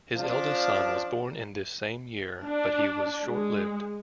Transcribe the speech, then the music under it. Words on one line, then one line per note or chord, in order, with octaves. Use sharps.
His eldest son was born in this same year, but he was short-lived.
F3 C#4 D4
D4
G#3